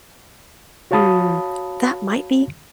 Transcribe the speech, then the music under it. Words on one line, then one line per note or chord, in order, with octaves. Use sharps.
Mm, that might be
F#4 C#5 F5 A5 B5 D#6